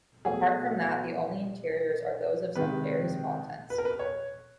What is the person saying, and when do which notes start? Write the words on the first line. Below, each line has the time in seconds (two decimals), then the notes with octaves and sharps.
Apart from that, the only interiors are those of some very small tents.
0.25 B2 F#3 A3 G#4
2.55 C3 D#3 G#3 B4
3.70 B4
3.78 A#4
3.85 B4
3.99 C#5